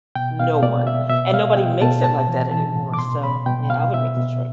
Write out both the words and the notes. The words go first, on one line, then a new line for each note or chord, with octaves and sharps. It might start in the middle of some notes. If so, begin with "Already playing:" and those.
No one. And nobody makes it like that anymore, so, yeah, I wouldn't make the trip.
B2 G5
B2 F5
B2 D5
B2 E5
B2 E5
B2 F5
B2 G5
B2 A5
A2 A5
E3
E3 A5
A2
D6
B2 C6
B2 B5
B2 G5
B2 F5
B2 E5
B2